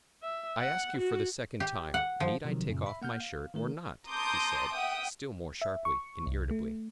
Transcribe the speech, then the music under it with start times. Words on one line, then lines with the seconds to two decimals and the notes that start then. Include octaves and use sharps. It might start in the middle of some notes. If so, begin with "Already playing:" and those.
"I ask you for the second time--need I take off my shirt or not?" he said, still more sharply and irritably.
0.23 E5
0.59 F#5
0.97 F#4
1.60 G4
1.94 F#5
2.20 F3
2.45 C3 D#3 F3 F#3
2.69 F#2 A#2 C#3
2.86 E5 B5
3.02 A#3 F#5 F6 G6
3.20 F5
3.54 D#3 A3 A#4
4.09 A5 A#5 C6 D6 D#6 G6
4.73 E5 F#5 G5 D#6
5.62 E5
5.85 C#6
6.26 C2
6.51 A3